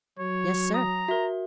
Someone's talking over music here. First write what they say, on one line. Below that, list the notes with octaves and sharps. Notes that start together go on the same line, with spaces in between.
"Yes, sir."
F#3 C#5
A#5 D#6
F#4 A#4 E5